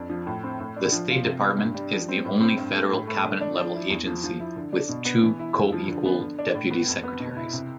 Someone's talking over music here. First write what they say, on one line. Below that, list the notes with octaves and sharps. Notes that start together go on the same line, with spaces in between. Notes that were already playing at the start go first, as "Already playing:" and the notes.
The State Department is the only federal Cabinet-level agency with two co-equal Deputy Secretaries.
Already playing: F2 D4
F3
A2
C4
A2
D4
F3
F4
C3
B3
G2
G3
F3
C4
A2
C4
G2
A3
A2
A3
D3
D4
F3
E4
E2
F3
F3
E4
D3
D4
B2
B3
E3
E4
F2
F3
D3
B3
D3
D4
A2
B3
F2
B3
B2
E4
C3